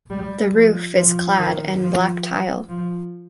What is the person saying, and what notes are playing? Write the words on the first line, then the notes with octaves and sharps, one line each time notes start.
The roof is clad in black tile.
G3
F3
F3
D#3
F3
F3